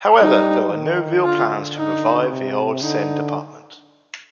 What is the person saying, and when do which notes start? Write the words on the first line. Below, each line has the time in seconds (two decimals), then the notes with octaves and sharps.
However, there are no real plans to revive the old Seine department.
0.20 G3 D#4
0.72 D#3
1.25 D3 F4
1.77 D#4
2.30 C3
2.82 D3 D#4